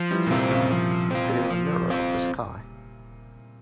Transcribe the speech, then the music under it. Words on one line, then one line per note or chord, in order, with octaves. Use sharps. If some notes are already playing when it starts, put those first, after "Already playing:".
It is a mirror of the sky.
Already playing: F3
E3 G3
A#2
C3 C4 F4
A#2 C#3
F3
C4 F4
F3
C4 F4